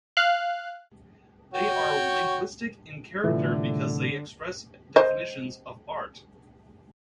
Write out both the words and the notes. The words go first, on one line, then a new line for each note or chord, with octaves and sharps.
They are linguistic in character because they express definitions of art.
F5 F#6
F#4 C#5 G5
C2 A2 D3 E3 F4 A4 E5
C5 D#5